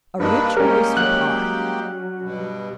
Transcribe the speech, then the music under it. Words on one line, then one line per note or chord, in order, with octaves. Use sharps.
A Rich Oyster Pie.
G2 A#3 D4 D#4 B4
G3 G#3 A#3 C#4 G4 A#4
F#3 F#6
G2 B2